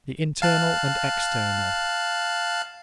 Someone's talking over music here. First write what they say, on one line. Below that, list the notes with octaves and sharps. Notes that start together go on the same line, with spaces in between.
The Internal and External.
F5 A5 F#6